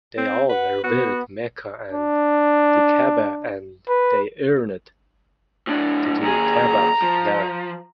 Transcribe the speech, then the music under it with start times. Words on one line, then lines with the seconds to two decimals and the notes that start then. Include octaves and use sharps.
They all revered Mecca and the Ka'bah and they yearned to do tawaf there.
0.18 C4
0.50 B4 F#5
0.84 B3 F#4
1.92 D4
3.88 B4
5.67 A2 D4
6.21 D#2 G#4 A#5
7.02 F3